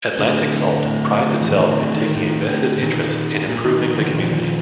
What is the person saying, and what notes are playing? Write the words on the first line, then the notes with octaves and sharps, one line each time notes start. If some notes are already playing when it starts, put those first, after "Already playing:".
Atlantic Salt prides itself in taking a vested interest in improving the community.
A2 D3
A2
E3
A2 D#3
D3
D#3
A2 D#3
D3
A#2 D#3
A#2
D#3
D#3
D3 E3
A#2 D#3 F3